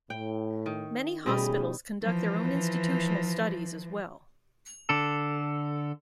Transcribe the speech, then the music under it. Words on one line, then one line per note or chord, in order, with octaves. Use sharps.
Many hospitals conduct their own institutional studies as well.
A2 G5
D#3
B2 G3 A3 C#4 D#4 G#4
E3 F3
D3 A4